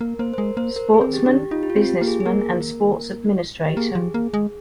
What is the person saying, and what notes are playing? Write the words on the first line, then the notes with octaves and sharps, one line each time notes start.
Sportsman, businessman and sports administrator.
A#3 A#4
A#3 C5
C5
G#3 A#4
A#3 C5
A#4
G#4
C4
G4
D4
G4
D#4 F4
G4
F4
C4
F4
G4
A#3
G#4
G#4
A#3 A#4
G4
A#3 G#4
F3
A#3
G#3